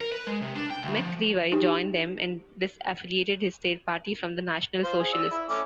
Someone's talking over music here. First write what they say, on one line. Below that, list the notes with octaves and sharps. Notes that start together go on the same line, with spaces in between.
McLevy joined them and disaffiliated his state party from the national Socialists.
A#4
B4
G#3
C3
D4
G5
D2
F3
D#4 G4
F4 C5
G#4
D5 E6
E4
A3 C#4 D6